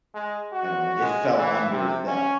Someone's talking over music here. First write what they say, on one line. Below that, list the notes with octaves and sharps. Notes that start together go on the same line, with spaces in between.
I don't know it fell under that
G#3
F#4
G#3
E3
C3
C#4